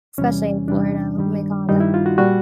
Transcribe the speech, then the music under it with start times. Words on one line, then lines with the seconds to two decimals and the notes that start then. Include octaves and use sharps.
Especially in Florida, oh my God, that
0.18 E2 C3 E3 G3 C#4
0.68 E2 C3 E3 G3 D4
1.18 G2 D#3 G3
1.68 G2 D#3 G3 D#4
1.80 E4
1.94 F4
2.06 F#4
2.18 A#2 G3 F#4